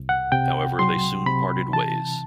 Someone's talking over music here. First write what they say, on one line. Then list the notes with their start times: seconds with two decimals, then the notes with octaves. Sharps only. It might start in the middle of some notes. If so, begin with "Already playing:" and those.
However, they soon parted ways.
Already playing: C2
0.09 F#5
0.32 C3 G5
0.79 F#3 C6
1.26 C3 B5
1.73 E3 A5